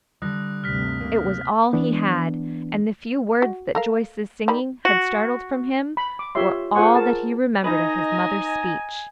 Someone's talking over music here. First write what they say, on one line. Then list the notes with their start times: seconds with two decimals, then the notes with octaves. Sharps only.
It was all he had, and the few words that Joyce's singing had startled from him were all that he remembered of his mother's speech.
0.22 D3 G3 D#6 F#6 A#6
0.64 D2 G2 C3 F6 A#6 B6
1.01 A#3
1.73 E3 B3 D4
3.42 F#4
3.75 A4 A#4 F5
4.48 D#3 G3 B5
4.85 F#4
5.97 B5
6.19 D6
6.35 F4 G4 C#5 E5 C6
6.75 F4 G#4 C5 F#5 G#5 C#6
6.95 A#4 A5
7.64 D#4 B4 D#5 G#5 A#5